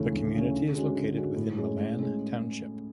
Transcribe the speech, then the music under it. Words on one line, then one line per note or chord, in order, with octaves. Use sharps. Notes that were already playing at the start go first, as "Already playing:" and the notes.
The community is located within Milan Township.
Already playing: D2 C#3 E3 A3 C#4
D2
C#3 E3 A3 C#4
D3
G#3 C#4 F#4
D3
G#3 C#4 F#4
A2
G#3 C#4 G#4
A2
G#3 C#4 G#4